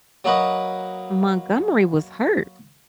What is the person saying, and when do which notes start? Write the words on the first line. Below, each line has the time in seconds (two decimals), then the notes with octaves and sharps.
Montgomery was hurt,
0.24 F#3 A#3 F#4 B4 D#5